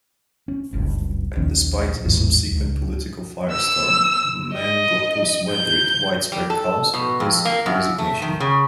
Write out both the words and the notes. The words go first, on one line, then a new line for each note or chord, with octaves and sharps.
Despite the subsequent political firestorm, Manglapus weathered widespread calls for his resignation.
C#4
F#1 C#2 G2
A#1 D#2 D#3 C#4
A1 E2 G#2 E3
C#2
E6
D#5
G6
G3
A4
B2
F2
A#3
F#2
A3
D#3
C#3